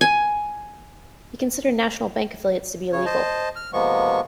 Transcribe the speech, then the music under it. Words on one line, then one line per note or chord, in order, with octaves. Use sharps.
He considered national bank affiliates to be illegal.
G#5
C#3 C#5
C5 D#5 A5
F6
C3 F3 G#3 A#3 B3 C#6